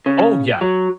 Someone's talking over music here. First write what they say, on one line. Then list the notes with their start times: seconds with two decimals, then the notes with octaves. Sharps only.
Oh, yeah.
0.06 C#3
0.61 F#3